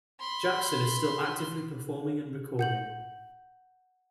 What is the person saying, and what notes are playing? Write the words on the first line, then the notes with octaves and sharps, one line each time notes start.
Jackson is still actively performing and recording.
B5 C6
F#5 G6 F#7